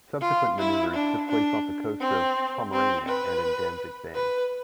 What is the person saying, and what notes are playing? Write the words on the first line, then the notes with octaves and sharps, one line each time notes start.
Subsequent maneuvers took place off the coast of Pomerania and in Danzig Bay.
F4
E4
D4
D4
C4
C4
B4
B4